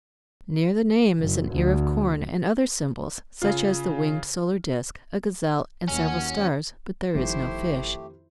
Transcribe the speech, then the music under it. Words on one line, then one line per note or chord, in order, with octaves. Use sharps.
Near the name is an ear of corn, and other symbols, such as the winged solar disc, a gazelle, and several stars, but there is no fish.
F#1
D2
C#3 F4
D#2 F#3 C#4
G1 F2 D#3 G3 A3 E4 G4 C5